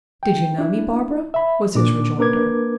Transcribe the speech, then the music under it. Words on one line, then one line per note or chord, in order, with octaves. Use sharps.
"Did you know me, Barbara?" was his rejoinder.
G5
D4 E4
E5 B5
A#2 D4 D6
A#3 D4 A#4 B4 D6 G#6